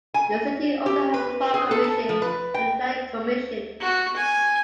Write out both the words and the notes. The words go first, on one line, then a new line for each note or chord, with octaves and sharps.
The city also has a park commission and a planning commission.
G#5
G4
B4
G#4
A4
A5
F3
B4
G5
F#4
G#5